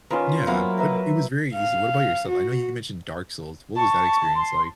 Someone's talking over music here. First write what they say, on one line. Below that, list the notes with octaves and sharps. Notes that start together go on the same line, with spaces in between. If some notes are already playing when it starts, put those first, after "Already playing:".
Yeah, but it was very easy. What about yourself? I know you mentioned Dark Souls. What was that experience like?
D#3 C#4 F4 B4
F#3 A#3 B3 C5 E5
A#4 B4 E5
F5
F#4
A5 C#6
C6